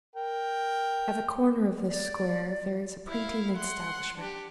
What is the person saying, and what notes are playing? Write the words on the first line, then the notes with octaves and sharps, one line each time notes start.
At the corner of this square there is a printing establishment.
A#4 G5
D5
E4 F5
F#5 C6
D4 G4